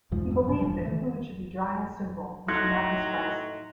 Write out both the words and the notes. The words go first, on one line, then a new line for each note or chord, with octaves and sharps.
He believed that food should be dry and simple and should not be spicy.
B1 E2 G#2 F3
A#1 F2 G#2
F#2 B2
E1 A1 F3 G3
D#3 E3 A3
A2 F#3 D#4 C6 F#6 G#6 A#6 C#7